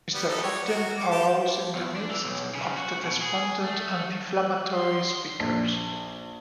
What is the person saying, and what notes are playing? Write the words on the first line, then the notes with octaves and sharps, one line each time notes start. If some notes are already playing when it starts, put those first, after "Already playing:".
Mr. Ogden arose in the midst of the despondent and inflammatory speakers.
G3 B3
B3 D#4 A4
G#3 C#5 D5
F#4 A#4
D6
G4 A5
E2
D4
E3
B1
C#3
F#4
B2
G#4
A3
F#6
C6
A#1